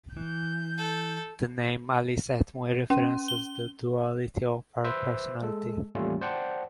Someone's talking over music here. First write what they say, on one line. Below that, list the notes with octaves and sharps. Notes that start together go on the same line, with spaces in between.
The name "Alice et Moi" references the duality of her personality.
E3 G6
A4
C#4
G7
B4 C5 E5
G#3 A4
A1 D#2 G3 A3 C#4 F4
C5 D5 F#5 G5 A5